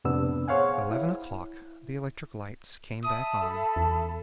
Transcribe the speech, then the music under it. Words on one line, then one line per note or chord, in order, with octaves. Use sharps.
At eleven o'clock the electric lights came back on.
F2 A2 C3 B3 D4 E6
G#4 C5 C#5 F5 F#5 G#5
E4
E5 A5 B5 D#6
A4
E2